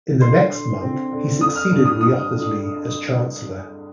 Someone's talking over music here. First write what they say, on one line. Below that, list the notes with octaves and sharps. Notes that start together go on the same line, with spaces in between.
In the next month he succeeded Wriothesley as chancellor.
D3 C6
D3
C4
D3
D3 D#6
F6
G2
D#6
G2 D#6
D3